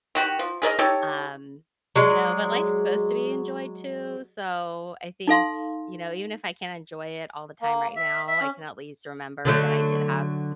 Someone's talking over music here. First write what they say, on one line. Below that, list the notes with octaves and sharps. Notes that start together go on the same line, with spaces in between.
um you know, but life's supposed to be enjoyed, too. So, I think, you know, even if I can't enjoy it all the time right now, I can at least remember that I did have
D#3 F#4 G4
F3
G#4 A#4 D5 D#5
D#4 G4 A4 C#5
F#3 G#3 D5
D#4 A4 F5 C6
A#3
E5
E5
C#4
D3 F#3 A3